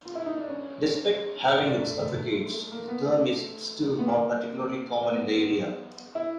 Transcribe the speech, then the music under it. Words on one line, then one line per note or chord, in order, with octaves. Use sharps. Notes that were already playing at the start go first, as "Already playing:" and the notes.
Despite having its advocates, the term is still not particularly common in the area.
F4
E4
D#4
D4
C#4
D4
A3
A3
A3
A#3
B3
A3
B3
A#3
A#3
B3
E4